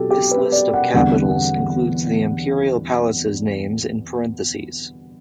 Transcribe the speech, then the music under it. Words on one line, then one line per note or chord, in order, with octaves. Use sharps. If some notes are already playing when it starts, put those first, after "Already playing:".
This list of capitals includes the Imperial palaces names in parentheses.
Already playing: B2 F#3 C4 G4 A4
G4
B4
D5
F#5
E2 D3 G3 C4 F#5